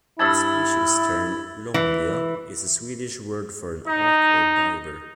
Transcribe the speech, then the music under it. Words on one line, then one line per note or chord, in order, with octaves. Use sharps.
The species term "lomvia" is a Swedish word for an auk or diver.
G2 E4 E5 A5 E6 G#6 A6
E3
D#4